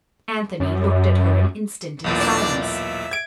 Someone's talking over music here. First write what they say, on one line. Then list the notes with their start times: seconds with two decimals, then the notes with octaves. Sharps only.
Anthony looked at her an instant in silence.
0.60 F#2
2.04 B1 E2 A#2
2.20 D4 D5
2.62 E5
3.11 G#6 D7